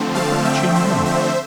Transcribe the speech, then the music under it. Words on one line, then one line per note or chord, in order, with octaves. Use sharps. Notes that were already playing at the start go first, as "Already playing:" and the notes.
"But what did she know?"
Already playing: D3 F3 A3 C4
F5 A5
E5 G5
C5 E5
C5 E5